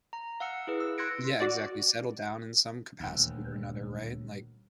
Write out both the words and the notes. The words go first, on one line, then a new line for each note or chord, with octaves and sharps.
Yeah, exactly. Settle down in some capacity or another, right, like
A#5
F5 F#5 E6 C#7
E4 G#4 B4
E6
C6 F#6 G#6 A#6 C#7 D7
F#4 D5
D#1 D2